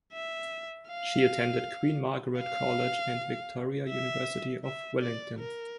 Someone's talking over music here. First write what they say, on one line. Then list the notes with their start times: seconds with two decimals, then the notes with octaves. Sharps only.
She attended Queen Margaret College and Victoria University of Wellington.
0.13 E5
0.88 F5
2.39 F5
3.88 E5
4.64 E5
5.01 D5
5.39 A#4